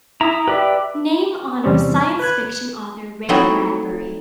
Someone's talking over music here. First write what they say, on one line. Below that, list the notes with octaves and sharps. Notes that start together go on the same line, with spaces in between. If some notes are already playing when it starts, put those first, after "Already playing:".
Name honors science fiction author Ray Bradbury.
E4 A#5 D#6
G4 B4 D5 E5
E2 C3 G3 C4 C#4
B4 B5 F#6 G#6
F#3 A3 C4 D#4 E4 F#4